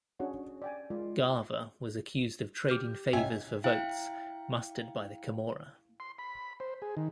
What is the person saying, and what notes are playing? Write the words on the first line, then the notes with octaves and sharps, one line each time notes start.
Gava was accused of trading favors for votes mustered by the Camorra.
C#4 D4 F#4 G#4 C#5 F#5
D5 G5 G#5
G#3 F4 A#4 D5
G4 D6 F6 G6
C2 C#4 D#5 E5 G5 G#5
E4 F5 G5
C6
B5
C5
G#4
D#3